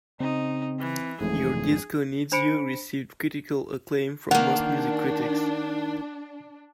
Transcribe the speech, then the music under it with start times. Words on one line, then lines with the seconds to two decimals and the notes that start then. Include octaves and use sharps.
"Your Disco Needs You" received critical acclaim from most music critics.
0.20 C#3 C4 D#4
0.79 E3
1.21 G#1 F2 G#2 E3 A3 G#4
2.32 D4 C5 B5 C#7 D7
4.31 D#3 A#3 D4 F#5